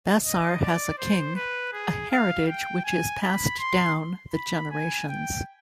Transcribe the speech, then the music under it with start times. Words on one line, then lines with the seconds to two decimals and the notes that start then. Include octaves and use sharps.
Bassar has a King, a heritage which is passed down the generations.
0.24 D#5
0.61 D5
0.98 C5
1.36 B4
1.73 G#4
2.11 F5
2.47 G5
2.85 G#5
3.22 B5
3.59 C6
4.34 B5
4.71 G#5
5.09 G5